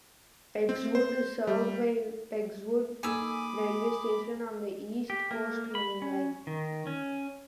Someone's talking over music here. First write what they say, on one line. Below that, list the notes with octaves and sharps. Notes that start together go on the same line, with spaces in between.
Pegswood is served by Pegswood railway station on the East Coast Main Line.
C4
C5
G3
A#3 D#4 G#4 A4 G#5 B5 D6 E6
G4
A#3
B5
C#4
D#3
C#4